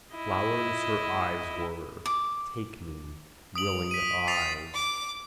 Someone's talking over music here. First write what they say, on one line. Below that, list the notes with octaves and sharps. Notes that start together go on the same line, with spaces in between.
Flowers her eyes were, take me, willing eyes.
E4 D#5
D6
D#6 D7 F#7
B6 D#7
D#6 A6 C7 F7
D6